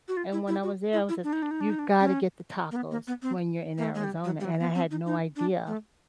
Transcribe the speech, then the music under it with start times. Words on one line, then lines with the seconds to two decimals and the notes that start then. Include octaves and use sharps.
and when I was there, it was just, "You've got to get the tacos when you're in Arizona," and I had no idea
0.08 F#4
0.17 F4
0.33 E4
0.48 E4
0.63 F#4
0.93 E4
1.09 E4
1.24 D4
1.33 D#4
1.42 D4
1.51 D#4
1.61 D4
1.70 D#4
1.79 D4
2.00 C#4
2.71 A#3
2.76 B3
2.91 A#3
3.07 B3
3.22 C4
3.78 A#3
3.84 A3
3.94 G#3
4.04 G3
4.24 F#3
4.40 G3
4.45 F#3
4.60 B3
4.75 C4
4.91 D#4
5.06 D#4
5.37 D4
5.67 A3